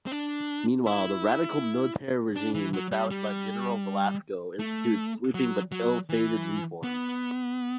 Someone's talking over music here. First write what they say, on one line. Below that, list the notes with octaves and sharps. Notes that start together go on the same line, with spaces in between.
Meanwhile, the radical military regime established by General Velasco instituted sweeping but ill-fated reforms.
C4
D4
E4
D4
E3
F#3
G3
G3
A3
F#3
F#3
E3
B3